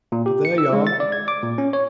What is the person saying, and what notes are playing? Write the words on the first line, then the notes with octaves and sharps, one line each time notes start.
But there ye are!
A#2
G4
C#7
E6
G#3
A6
D5
G#6
D6
A#2
C#4
C#5